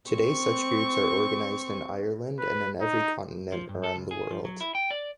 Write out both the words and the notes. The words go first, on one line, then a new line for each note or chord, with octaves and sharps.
Today such groups are organised in Ireland and in every continent around the world.
C4 C#6
B4
D#4
F3
G2
A4
C#2
G#4
F3
F#3
E4
G5
D5